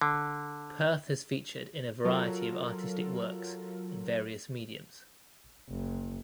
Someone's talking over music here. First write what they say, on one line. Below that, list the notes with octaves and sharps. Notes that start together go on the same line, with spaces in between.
Perth has featured in a variety of artistic works in various mediums.
D3
F#3 F4 A4 A#4
F#1